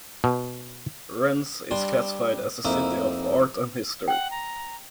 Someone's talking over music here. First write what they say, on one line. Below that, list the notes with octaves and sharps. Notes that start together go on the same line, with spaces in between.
Rennes is classified as a city of art and history.
B2
G3 D4 C6
F2 A#3 D#4 E4
F#5 G5
A#5